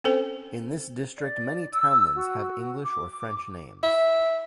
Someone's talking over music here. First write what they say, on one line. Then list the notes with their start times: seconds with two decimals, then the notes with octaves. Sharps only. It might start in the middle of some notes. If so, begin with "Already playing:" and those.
In this district, many townlands have English or French names.
0.04 C4 C#4 A4 C5 G5 G#5
1.19 D5
1.72 E6
2.15 F#4
2.83 D6
3.83 E5